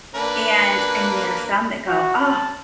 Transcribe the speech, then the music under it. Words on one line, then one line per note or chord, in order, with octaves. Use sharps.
and and then there's some that go, "Oh,
A#3 D4 B4
F#4
A5